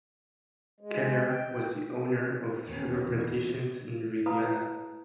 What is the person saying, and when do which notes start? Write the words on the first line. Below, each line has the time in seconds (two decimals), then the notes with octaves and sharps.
Kenner was the owner of sugar plantations in Louisiana.
0.80 G#3
1.29 G5
2.64 D#2 A2 D#3 E3 B3 C#4
3.02 E2 B2 D3 E3
4.26 E4 B4 F5 A5 B5 D#6